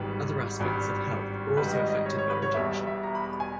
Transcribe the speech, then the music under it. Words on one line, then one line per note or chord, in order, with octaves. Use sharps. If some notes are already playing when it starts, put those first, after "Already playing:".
Other aspects of health are also affected by rejection.
Already playing: G#1 G#2 D#3 G3 B4
G#1 G2 G3
G#1 G#2 D#3 G3 B4
D#5
D#5
C#5
C#5
B4
C#5
E1 E2 B2 G3 E5
E5
E5
A#5
B5
G#5